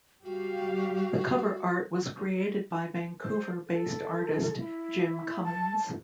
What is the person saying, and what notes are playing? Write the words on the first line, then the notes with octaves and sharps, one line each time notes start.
The cover art was created by Vancouver based artist Jim Cummins.
G3 F#4 G4 F5
C5
A4
E4
A5